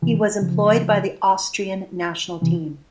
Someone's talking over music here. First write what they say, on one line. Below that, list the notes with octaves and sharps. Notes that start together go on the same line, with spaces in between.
He was employed by the Austrian national team.
C3 E3
C#3 F3
C3 E3